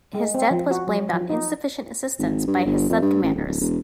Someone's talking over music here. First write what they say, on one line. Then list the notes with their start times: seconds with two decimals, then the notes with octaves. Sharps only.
His death was blamed on insufficient assistance by his subcommanders.
0.14 G#3
0.35 C4
0.51 F3
0.71 F#4
0.87 F#3
1.13 F3
1.30 D#4
2.18 G#1
2.47 G2
2.65 G1
2.90 F2
3.02 G2
3.23 A1
3.35 D1
3.47 D1
3.60 E1